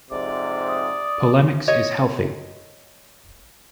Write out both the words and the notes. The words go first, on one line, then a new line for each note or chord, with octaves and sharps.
Polemics is healthy.
F2 G#2 C3 D5
D#6
C#5 D#5